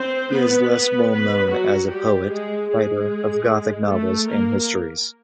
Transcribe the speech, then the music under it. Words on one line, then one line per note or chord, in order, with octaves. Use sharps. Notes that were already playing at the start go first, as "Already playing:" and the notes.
He is less well known as a poet, writer of gothic novels and histories.
Already playing: C4 C5
B3 B4
B3 B4
B3 B4
F#3 F#4
G3 G4
G#3 G#4
G#3 G#4
A3 A4
A#3 A#4